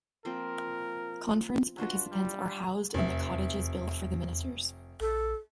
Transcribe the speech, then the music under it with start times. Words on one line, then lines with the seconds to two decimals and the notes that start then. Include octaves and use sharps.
Conference participants are housed in the cottages built for the ministers.
0.25 F3 A#3 C4 A#4
1.78 D4 F4 F#4 B4
2.12 G3
2.94 F1 E2 E5
5.00 A#1 A4